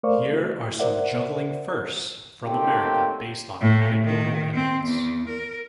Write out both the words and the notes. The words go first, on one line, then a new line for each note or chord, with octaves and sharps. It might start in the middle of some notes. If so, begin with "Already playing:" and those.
Here are some juggling "firsts" from America, based on anecdotal evidence.
A3 A#4 C5 D5 F5 C#6
A3 E4 F#4
A#4 C5 D5 E5 F#5
F#3 A3 A#3 C4 D#4 G4
A2
D#3
C4
E2
A#4